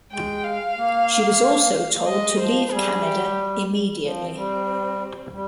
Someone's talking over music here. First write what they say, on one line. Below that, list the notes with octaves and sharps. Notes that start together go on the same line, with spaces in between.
She was also told to leave Canada immediately.
G#3 G5
F5
A#3
A#3
G#3 D#5
G3
F3 C5
G3 G#4
G4
F3 C4
G3
G3